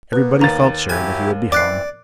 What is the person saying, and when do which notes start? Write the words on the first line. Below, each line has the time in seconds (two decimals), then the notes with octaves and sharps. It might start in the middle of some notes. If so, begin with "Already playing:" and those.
Everybody felt sure that he would be hung.
0.13 A#3 B3 B4
0.41 D#2 A#5 A6
0.89 F#3 E4 G4 G#5
1.52 E3 C4 D5 D6 F#6 C7